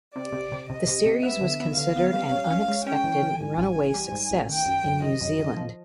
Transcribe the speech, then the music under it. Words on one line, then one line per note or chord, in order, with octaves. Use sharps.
The series was considered "an unexpected runaway success" in New Zealand.
C3 D5
C3
C3
C3 D#5
C3
C3
B3 E5
D3
B3
D3 F5
B3
G3
C#4
C#4
G#3
C#4 G5
E3
E3
G#2 G#5
A1
E3
G3
G#2
A1
D#3 G5
F#2
F#2
D#3 D#5
F#2
D#3
F3